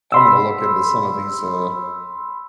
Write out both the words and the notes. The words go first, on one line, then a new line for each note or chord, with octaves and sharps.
I'm gonna look into some of these, uh
B5 C6 E6